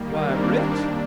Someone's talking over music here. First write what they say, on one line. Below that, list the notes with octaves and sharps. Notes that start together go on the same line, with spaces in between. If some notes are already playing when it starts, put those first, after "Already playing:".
Why, rich?
Already playing: D#3 G3 A#3
C4 D4